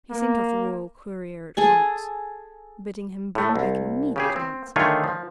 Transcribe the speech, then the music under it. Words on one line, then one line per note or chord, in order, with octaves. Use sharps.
He sent off a royal courier at once, bidding him bring back an immediate answer.
A#3
G#4 A4 G#5
A2 A3
C2
C#3 G4 G#4
C4
D3 D#3 A3 F4 G#4 C#5
F3